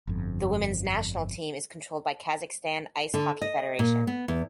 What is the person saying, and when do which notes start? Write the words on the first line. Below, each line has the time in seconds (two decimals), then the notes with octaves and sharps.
The women's national team is controlled by Kazakhstan Ice Hockey Federation.
0.07 G1 F2
3.14 D3
3.41 D#5
3.79 A#2
4.07 B3
4.28 E2